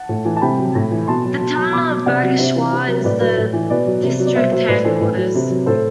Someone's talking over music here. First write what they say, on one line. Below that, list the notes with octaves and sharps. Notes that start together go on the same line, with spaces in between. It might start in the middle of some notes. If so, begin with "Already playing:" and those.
The town of Bageshwar is the district headquarters.
Already playing: F#5 A5
A2
E3
A5
C3 G5 B5
F#3
A2
E3
B2 A5 C6
F#3
B2
F#3
B2 B5 D6
F#3
C3 D5 F#5
F#3
C3 C5 E5
E3
C3
F#3
A2 B4 D5
F#3 B4
A2
E3
B2 B4 D5
F#3
C3
F#3
D5
B2 C5 E5
F#3 C5 E5
A2 B4 D5
E3 A4 C5
A2 B4
F#3
C3
F#3
A2 A4 C5